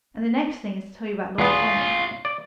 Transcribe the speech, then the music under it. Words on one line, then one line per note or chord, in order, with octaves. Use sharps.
"And the next thing is to tell you about Lord Fawn."
E2 B3 F4 G#4
D5